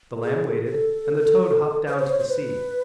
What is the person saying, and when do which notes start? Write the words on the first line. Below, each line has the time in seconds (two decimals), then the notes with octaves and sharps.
The lamb waited and the toad hopped down to the sea.
0.23 G#4
0.65 A4
1.88 B4
1.93 C#5
1.99 C5
2.09 C#5
2.19 C5
2.30 B4